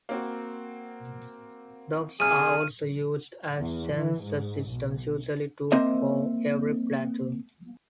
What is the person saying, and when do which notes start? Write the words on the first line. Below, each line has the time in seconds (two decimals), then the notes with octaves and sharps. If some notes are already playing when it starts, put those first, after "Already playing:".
Dogs are also used as sensor systems, usually two for every platoon.
0.09 A#3 C4 F#4
2.20 B1 C3 G#4 F6 D#7
3.57 E2
3.94 E3
4.23 G#2
4.68 B1
5.72 A#3 C4 C5 D#5 E5